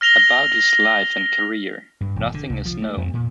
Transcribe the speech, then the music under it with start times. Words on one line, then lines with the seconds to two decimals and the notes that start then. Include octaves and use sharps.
About his life and career, nothing is known.
0.01 F6 A#6 F7 G7
2.01 G2
2.16 E1
2.34 D3
2.50 C2
2.65 F3
2.82 A3
2.97 F2
3.14 A#2